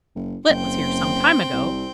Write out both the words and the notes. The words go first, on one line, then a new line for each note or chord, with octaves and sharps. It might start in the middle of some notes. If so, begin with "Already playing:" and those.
Split was here some time ago.
F#1
F#1 C4 G5
C2